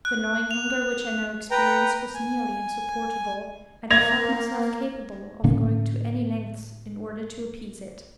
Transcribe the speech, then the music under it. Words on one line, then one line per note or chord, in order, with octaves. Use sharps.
The gnawing hunger which I now experienced was nearly insupportable, and I felt myself capable of going to any lengths in order to appease it.
F#6
F7
B4 G5 A#5
G#5
A#3 G#6 A#6 F7
A2 D3 A#3 C#4